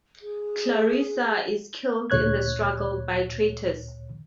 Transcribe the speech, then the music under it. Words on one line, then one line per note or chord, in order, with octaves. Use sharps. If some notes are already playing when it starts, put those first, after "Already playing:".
Clarissa is killed in the struggle by traitors.
G#4
D2 A#2 C#5 F#6 G#6